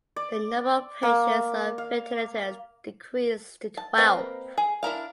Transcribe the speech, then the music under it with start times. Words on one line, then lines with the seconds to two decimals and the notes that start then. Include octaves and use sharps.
The number of patients on ventilators decreased to twelve.
0.16 D5
1.03 A#3
1.78 F5
3.77 A5
3.98 A#3 C4 A#4 B4 D#5
4.58 G#4
4.83 D4 E4 A#4 F5